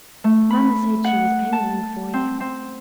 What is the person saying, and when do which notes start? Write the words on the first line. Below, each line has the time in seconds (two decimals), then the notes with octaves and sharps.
Mamma said she was angling for you.
0.24 A3
0.50 B5
1.04 F#5
1.53 A5
2.14 C4
2.40 C4